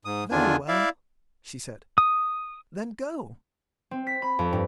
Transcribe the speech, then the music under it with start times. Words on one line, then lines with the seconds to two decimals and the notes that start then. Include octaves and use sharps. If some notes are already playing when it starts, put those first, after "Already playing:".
"Very well," she said; "then go!"
0.05 G#2 D#6
0.31 E2 D3 D#3 D4 F4 G#5
0.68 E4 D5 E5 F5
1.98 D#6
3.91 C4
4.07 B6
4.22 B5
4.39 F2
4.53 G2